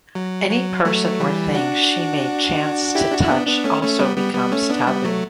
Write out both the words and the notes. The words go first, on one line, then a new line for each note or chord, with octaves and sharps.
Any person or thing she may chance to touch also becomes taboo.
F#3
F#3
F#3 A3
E3 G3
D4 F#4
E4 G4
D4 F#4
E4
B3 D4
B3 D4
A3 C#4
A3 C#4
G3 B3
G3 B3
G3 B3
A3 C#4
B3 D4
G3 B3
F#3 A3